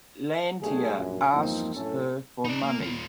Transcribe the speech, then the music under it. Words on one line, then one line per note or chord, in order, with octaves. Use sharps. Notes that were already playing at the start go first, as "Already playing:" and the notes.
Lantier asks her for money.
B1 A3 D4 G4 G#4
A#1 F#2
E2 G2 F3 A#3 C4 D#4
F#2 A2 C#4 A4
D#4 D5
A#3
D#2 F4